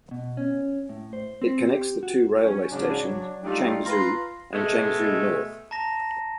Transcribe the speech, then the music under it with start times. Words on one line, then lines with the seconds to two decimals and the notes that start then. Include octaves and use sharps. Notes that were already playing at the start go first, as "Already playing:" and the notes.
It connects the two railway stations Changzhou and Changzhou North.
0.11 B2
0.37 C#4
0.89 A2
1.13 C5
1.42 C4
1.66 G4
2.03 F#4
2.43 F#3 C#4
2.72 G#2 C#3 F#3 C#4 D4
3.05 F#3 D4
3.44 G3 A3 D4 D#4 F4 G4
3.86 F4 B4 A#5 C6
4.53 B2 G#3 A3
5.71 A5 A#5 A#6